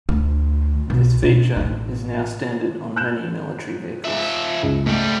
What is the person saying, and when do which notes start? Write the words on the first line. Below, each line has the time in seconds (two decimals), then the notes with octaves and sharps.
This feature is now standard on many military vehicles.
0.09 D2
0.90 B1
1.23 B2
1.56 A1 D#4
2.96 F#6 G6 E7
4.05 F3 E5
4.63 C#2
4.86 G#2 G3 A3